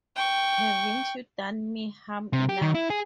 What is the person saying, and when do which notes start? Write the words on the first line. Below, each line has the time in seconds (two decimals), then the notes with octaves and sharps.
Haven't you done me harm enough?
0.16 G5 C#6
2.33 C3
2.49 G4
2.62 D#3
2.75 E4
2.90 G#4